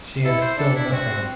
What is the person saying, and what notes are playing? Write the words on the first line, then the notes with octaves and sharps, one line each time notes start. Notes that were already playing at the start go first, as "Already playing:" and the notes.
She is still missing.
E4 A4
C5
D4 A4
E4
C4 F#4